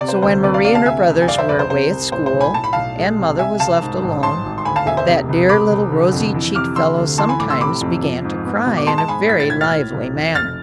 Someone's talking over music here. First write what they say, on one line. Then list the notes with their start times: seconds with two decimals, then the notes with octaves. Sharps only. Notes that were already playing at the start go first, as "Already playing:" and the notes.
So when Mari and her brothers were away at school, and mother was left alone, that dear little rosy-cheeked fellow sometimes began to cry in a very lively manner.
0.01 C3 D5
0.08 C5
0.15 B4
0.22 D2 C5
0.44 C3 B4 D5
0.54 D5 F5
0.65 D2 D5 F5
0.75 F5 A5
0.86 C3 E5 G#5
1.07 C2
1.22 G#5
1.28 F2 D5 F5
1.38 C5 E5
1.49 F1 B4 D5
1.59 C5
1.70 C3 C5
1.91 C2
2.12 A2 C5
2.26 C5
2.33 B1
2.41 G#5 B5
2.54 A2 A5
2.64 B5
2.73 B1 F5 A5
2.97 G#3
3.18 C3
3.39 C3 E5 G#5
3.60 C2 F5 A5
3.81 G#2
4.02 A1
4.23 G#2 A5 C6
4.44 G#1
4.58 C6
4.65 D2 G#5 B5
4.76 F5 A5
4.86 E1 E5 G#5
4.97 C5 E5
5.07 C3
5.29 C2
5.49 C3 B5 D6
5.71 C2
5.92 D3
6.12 F2
6.34 E3
6.55 C3 D6 F6
6.76 D3 C6 E6
6.97 D2
7.18 E3 A5 C6
7.29 G#5 B5
7.39 A2 B5 D6
7.50 C6 E6
7.60 C3 B5 D6
7.81 F2
8.03 F3
8.24 G#2
8.45 B3
8.66 B2
8.77 D6
8.87 G#3 A5 C6
8.98 A5
9.08 G#2 G#5 B5
9.29 A2 B6
9.40 A6
9.50 B1 G#6
9.61 F6 A6
9.71 A2
9.93 B1
10.14 F2
10.35 F1 F6 A6